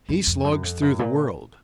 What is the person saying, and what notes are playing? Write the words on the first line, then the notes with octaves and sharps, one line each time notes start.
He slogs through the world.
F#2
F2
F#2
F2
F#2
A#2